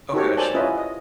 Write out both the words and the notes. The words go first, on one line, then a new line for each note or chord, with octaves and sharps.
Okay, sure.
D#4 F#4 G4 A4 A#4 C#5
A4 C5 D5 G#5 A5
C#4 E4 F4 B4 D#5 E5
D#5